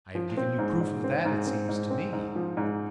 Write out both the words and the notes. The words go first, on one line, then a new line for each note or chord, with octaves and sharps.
"I have given you proof of that, it seems to me."
F3
C4
G#2
G#2
C4
G#2
C4
G#2
C4
G#2
F3
G#2